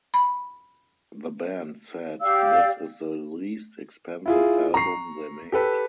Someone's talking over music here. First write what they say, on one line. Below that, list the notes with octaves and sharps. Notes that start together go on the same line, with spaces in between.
The band said this is the least expensive album they made.
B5
G4 D5 F5 E6
E4 F4 G#4
A#5 C#6 C7
G4 A4 B4